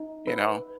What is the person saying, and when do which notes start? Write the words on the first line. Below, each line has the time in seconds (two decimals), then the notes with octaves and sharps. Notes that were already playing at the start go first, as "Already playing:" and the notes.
You know?
Already playing: D#4
0.27 B4